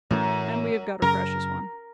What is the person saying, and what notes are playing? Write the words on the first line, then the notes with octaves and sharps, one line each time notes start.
And we have got a precious one.'
F#2 A2 E3 A3
F#2 C#3 A#4